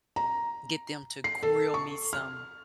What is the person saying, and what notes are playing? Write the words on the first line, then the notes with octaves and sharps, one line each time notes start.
get them to grill me some,
A#5
C7
A4
C#6
F6